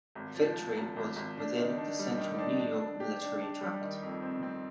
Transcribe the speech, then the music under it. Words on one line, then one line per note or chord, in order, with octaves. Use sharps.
Victory was within the Central New York Military Tract.
G#1
F3
G#1
G#1
G#1
G#1
D4
D#3
D4
G3
D#3
D4
D4
D4
G4
D4
D4
G3
D#3
F2
C4
C4